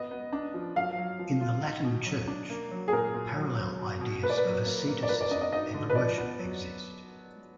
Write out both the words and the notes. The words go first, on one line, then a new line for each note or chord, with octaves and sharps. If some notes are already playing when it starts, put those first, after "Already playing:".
In the Latin Church, parallel ideas of asceticism and worship exist.
Already playing: B3 D#5
B3
D4
F3
F#3 F5
F#3
F3
F4
D#4
B2
F#3
D4
A#3
F#3
G#4
A#2 A#4
A#2
F#3
F#3
B2
B2
A#3 B4
D5
B4
F#3
A#3
A#3
D5
A#3 B4
D5
D4 D#5
D#5
D#4 D#5
D3
B4
F3 D5
B3
F#3